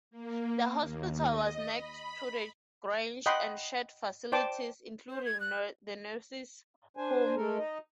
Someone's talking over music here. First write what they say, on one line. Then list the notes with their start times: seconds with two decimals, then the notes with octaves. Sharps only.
The hospital was next to the Grange and shared facilities, including the nurses' home.
0.11 A#3
0.78 D#2
1.24 D#5
1.78 B5
3.26 D#5 F#5 G5 B5 C6
4.32 C5 D5 G5 A5 D6
5.09 C5
5.25 G#6
5.40 F#6
6.97 D4 C5 G#5
7.36 G#3 A3 A4 A#4
7.58 D#4 D#5